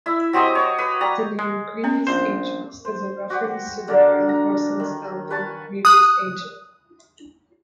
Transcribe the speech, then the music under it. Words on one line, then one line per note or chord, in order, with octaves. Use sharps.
The name "Grievous Angels" is a reference to the Gram Parsons album Grievous Angel.
E4 E5
F#3 C4 G4 D#5
C#5
B4
G3 A#5
G#3
B3 C#4
A#1 C5
C5
F#4 G4
D3 D4 A#4
A#5
D#3
B4 C#5 G#5 A5
D#6 F#6